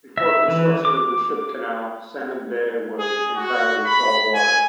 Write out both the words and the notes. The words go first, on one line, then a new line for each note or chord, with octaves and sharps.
Before construction of the Ship Canal, Salmon Bay was entirely salt water.
E5
E3
D6
G#4
F#4
B5
G#5